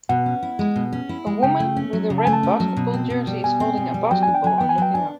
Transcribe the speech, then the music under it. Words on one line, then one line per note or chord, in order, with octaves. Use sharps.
A woman with a red basketball jersey is holding a basketball and looking up.
B2 F#5
C#4
E4
G#3
B2
C#4
E4
G#3
C#3 G5
A3
C#4
F#3
C#3
A5
A3 G#5
A5
C#4
F#3
B2
C4
B2
G3
B2 G#5
C4
B2
G3
F#3 G5
D4 G#5
G5
F#3 G#5
B3 G5
G#5
F#3 G5
D4 G#5